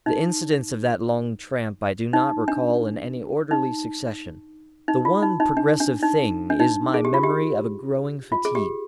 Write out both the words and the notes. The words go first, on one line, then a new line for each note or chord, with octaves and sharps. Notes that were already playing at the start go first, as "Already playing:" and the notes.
The incidents of that long tramp I do not recall in any orderly succession, the one progressive thing is my memory of a growing fatigue.
D#4
D#4
D4
D#4
D#4
F4
D#4
D#4
D4
D4
D#4
D4
D#4
G#4
G4
F4
G4
F4
G#4
G4